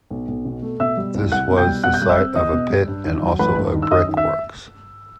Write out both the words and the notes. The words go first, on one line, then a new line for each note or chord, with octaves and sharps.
This was the site of a pit and also a brick works.
B1
B1
B2
A3
B2 E5 E6
G3
C2
C2 F#5 F#6
B2
G5 G6
G3
B2 F#5 F#6
G6
G3 F#6
E5 E6
C4
E2 D#5 D#6
B2
G3
G2
D#3
F#3
A1 B4 B5
G2
D#3
E6
F#2 D#5 D#6
D#3
E5 E6